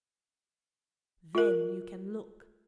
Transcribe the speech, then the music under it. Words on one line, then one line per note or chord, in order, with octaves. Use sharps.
Then you can look.
F4 A#4